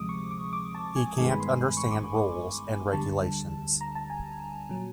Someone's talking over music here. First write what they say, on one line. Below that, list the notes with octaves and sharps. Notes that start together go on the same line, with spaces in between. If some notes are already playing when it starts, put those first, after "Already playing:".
He can’t understand rules and regulations.
Already playing: D2 C3 F3 G#3 D6 D#6
C#6
D6
D6
A5
G#5
G2 D#3 G#3 B3 G#5
B5
C6
C#6
D6
D2 D3 G3 A5
A#5
A5
G#5
A#2 F#3